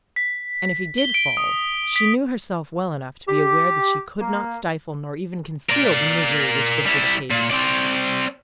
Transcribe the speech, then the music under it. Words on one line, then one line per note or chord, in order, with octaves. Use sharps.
And if he did fall, she knew herself well enough to be aware that she could not stifle, nor even conceal, the misery which this would occasion her.
B6
G7
D7
D#6
B6
G4
A#3
A#4 D5
G3 E4
A#2
C4 D5